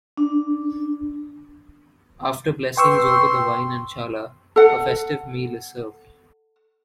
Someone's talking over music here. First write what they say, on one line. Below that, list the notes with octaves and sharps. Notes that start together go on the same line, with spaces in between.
After blessings over the wine and challah, a festive meal is served.
D4
B4 G5 C6 C#6 E6
A4 F#5